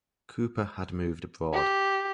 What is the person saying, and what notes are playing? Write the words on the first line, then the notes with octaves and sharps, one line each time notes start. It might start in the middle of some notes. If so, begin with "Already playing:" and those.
Couper had moved abroad.
G4